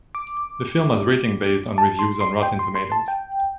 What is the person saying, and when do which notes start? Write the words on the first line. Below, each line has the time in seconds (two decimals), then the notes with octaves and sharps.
The film has rating based on reviews on Rotten Tomatoes.
0.15 D6
1.78 A5
1.99 C6
2.21 C6
2.43 G5
2.59 C6
2.75 C6
2.92 A5
3.08 G5